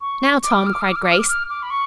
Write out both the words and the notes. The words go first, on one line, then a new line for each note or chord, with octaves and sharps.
"Now, Tom," cried Grace.
C#6
D6
F6
D6
F6
D6
F6
D6
F6
D6
F6
D6
F6
D6
B5
C#6